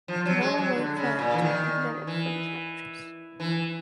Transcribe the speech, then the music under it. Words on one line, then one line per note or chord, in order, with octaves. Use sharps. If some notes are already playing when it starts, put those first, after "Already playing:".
No away fans were permitted for these matches.
F3
F#3
G#3
F#3
D3
C#3
A#2
E3
D#3
E3
E3